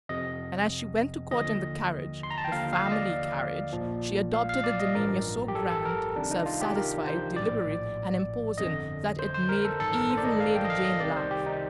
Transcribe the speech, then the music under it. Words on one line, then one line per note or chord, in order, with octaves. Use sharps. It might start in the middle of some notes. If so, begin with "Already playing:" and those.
And as she went to Court in the carriage, the family carriage, she adopted a demeanour so grand, self-satisfied, deliberate, and imposing that it made even Lady Jane laugh.
F2 C3 F3 D#5
D#2 D3 F3 D#5
C6
A#5
A5
G5
D#2 D3 F3 F5
F5
D#5
D5
A#1 A#2 F3
F5
F5
D5
D#5
A1 G2 F3 A#4
G4
A4
A4
A#4
C2 C3 D#3 D4
D#4
F4
G4
A#4
C5
A#1 A2 F3 D5
G1 F2 D3 D#5
C5
C5
A#4
A4
A1 G2 D#3 A4
A#4
C5
D5
D#5
F5
G5
D#5
F5
D#5
C2 C3 D#3 D5
C5
G4
D#4